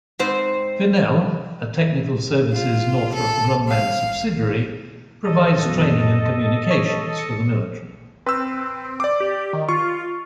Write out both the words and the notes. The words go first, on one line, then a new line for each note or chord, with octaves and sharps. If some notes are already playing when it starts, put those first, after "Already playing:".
Vinnell, a Technical Services Northrop Grumman subsidiary, provides training and communications for the military.
G#2 C4 C5
F4
A4
F5
A4 D#5
F#2 B2
C#5
C#7
C4 B4 E6
D5 D6
G4
D#3
F4 C#6